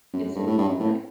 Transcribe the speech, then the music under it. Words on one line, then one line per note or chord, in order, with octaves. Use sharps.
Is it lowbrow?
F#2
F#2
G2
A2
G2
F#2
A2